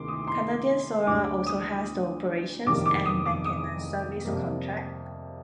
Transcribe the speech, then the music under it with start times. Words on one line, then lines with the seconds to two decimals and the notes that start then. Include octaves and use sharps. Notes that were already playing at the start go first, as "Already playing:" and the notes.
Canadian Solar also has the operations and maintenance services contract.
Already playing: D2 C3 D#3 A#3 C6 D6
0.08 D#6
0.27 C6
1.07 D2 D3 G3 D6
1.47 D#6
2.66 F1 F2 D#3 G3 A#3 D6
2.86 D6
3.06 D#6
3.25 D6
3.45 D#6
4.25 F2 C3 G3 A#3